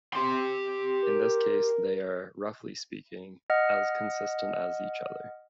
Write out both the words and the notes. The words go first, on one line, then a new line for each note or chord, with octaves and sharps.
In this case, they are, roughly speaking, "as consistent as each other".
G4 C6
A#4
D#5 F#5 F6